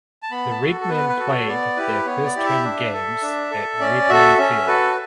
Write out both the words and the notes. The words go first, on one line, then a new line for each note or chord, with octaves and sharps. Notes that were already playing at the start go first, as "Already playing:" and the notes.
The Redmen played their home games at Redman Field.
A5
B3 B5
A5
F#4 A4
A4
B3 B4
B4
F#4 A4
C#5
B3 D5
E4 G4 B4
B3 C#5
D5
E4 G4
E5
D4
A4
D4
A4
C#4 D5
F#4 A4 E5
C#4 E5
F#4 A4 B4